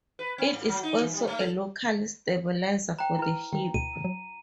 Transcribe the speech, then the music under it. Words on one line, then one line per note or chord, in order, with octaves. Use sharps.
It is also a local stabilizer for the hip.
B4
C4
G#2
F#3
D#4
E3
G3
A3
A4
C5 G5 A#5
E4 B4
D#3 A#4 G5
D2 B2 D3 D#7
F#3